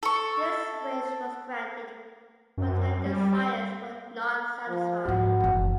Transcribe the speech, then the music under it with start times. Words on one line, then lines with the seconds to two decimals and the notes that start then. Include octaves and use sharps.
This wish was granted, but her desires were not satisfied.
0.03 A4 C#6
2.57 F#2
3.05 G3
4.69 F3
5.05 G#2 F3 F#4
5.40 F#1 E3